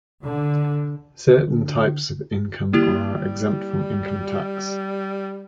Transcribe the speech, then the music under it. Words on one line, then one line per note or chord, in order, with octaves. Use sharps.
Certain types of income are exempt from income tax.
D3
D3
G3 A#3 E4 G4